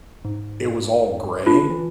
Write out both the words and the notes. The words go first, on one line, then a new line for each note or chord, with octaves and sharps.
it was all gray,
G#2
D4 F4
E3